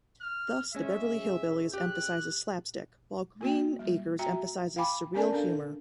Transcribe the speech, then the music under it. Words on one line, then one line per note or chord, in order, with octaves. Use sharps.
Thus "The Beverly Hillbillies" emphasizes slapstick, while "Green Acres" emphasizes surreal humor.
F6
G#3 C#4 E5
G4 F#6
A#3 F#4 G5
G3
F#4 E5 G5 A#5
F5 G5 G#5 B5 D6
B3 C#4 A#4 D5 G#5 A5
D4 A4 F5